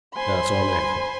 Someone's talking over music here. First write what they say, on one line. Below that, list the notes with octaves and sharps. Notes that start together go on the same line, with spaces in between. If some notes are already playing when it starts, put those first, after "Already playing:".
That's our man.'
C5 G#5 B5 C6